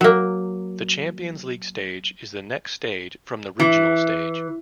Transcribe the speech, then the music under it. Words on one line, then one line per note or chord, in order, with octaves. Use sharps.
The champions league stage is the next stage from the regional stage.
F#3 A#3
E3